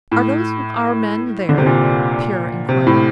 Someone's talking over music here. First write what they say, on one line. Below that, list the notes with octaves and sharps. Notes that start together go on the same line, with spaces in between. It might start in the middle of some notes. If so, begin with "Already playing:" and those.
"Are those our men there?" Pierre inquired.
A2
D3
C3
A#2
C3
A2